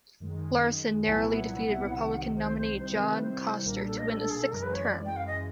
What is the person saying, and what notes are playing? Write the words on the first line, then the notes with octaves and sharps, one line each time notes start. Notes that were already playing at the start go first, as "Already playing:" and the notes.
Larsen narrowly defeated Republican nominee John Koster to win a sixth term.
F#2 D#3 G#3
C2 A#2 F#3 B3 E4 G#5
F#5
C2 C3 D#3
C5
C5
C3 D#3 G3 C4 E4 C5
C5
A#4
B4
C5
B1 A#2 G3 A#3 D4 A#4
A4
A4
D#5
A4
A4
G#4
A4
F#2 C#3 E3 G#3 A#4
B4
C#5
D5
G5
F5
D#5